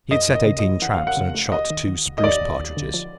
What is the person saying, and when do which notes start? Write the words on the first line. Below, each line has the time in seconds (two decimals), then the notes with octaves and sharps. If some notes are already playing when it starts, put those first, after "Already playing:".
He had set eighteen traps and had shot two spruce partridges.
0.11 F#2 D#5
0.28 F#2
0.34 D#5
0.46 C#3
0.59 D#5
0.63 F3
0.82 E3 F#5
0.94 F5
1.00 D#2
1.07 F#5
1.17 C#3
1.35 A3
1.52 C#2 D#5
1.70 D#3
1.88 D#3
2.06 C#2
2.18 D#5
2.24 D#2 D5
2.41 D#2
2.59 D#2
2.77 D3
2.94 F3